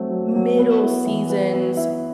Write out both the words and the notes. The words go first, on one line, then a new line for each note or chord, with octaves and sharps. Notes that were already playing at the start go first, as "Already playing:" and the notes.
middle seasons
Already playing: F#3 A3 C4
F#3
F#3
B3
E4
E3
B4
B3
E4